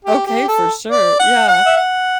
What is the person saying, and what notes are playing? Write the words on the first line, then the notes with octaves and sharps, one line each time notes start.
Okay, for sure, yeah.
G4
G4
A4
D5
F#5
F#5
E5
F#5